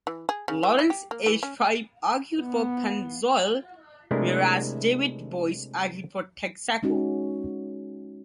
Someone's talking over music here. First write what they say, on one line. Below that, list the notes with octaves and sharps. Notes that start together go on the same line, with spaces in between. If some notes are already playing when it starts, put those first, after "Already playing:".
Laurence H. Tribe argued for Pennzoil, whereas David Boies argued for Texaco.
E3
G#4
C#3
E3
E4
G4
A#3
E3
C#4
B3
C3 G#3 A3 D4 E4 A#4
G#3 C#4 D#4 F#4